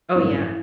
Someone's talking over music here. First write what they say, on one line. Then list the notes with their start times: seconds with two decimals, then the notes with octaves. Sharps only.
Oh, yeah.
0.15 A1 G2 F#3 A3 C4 E4
0.34 E4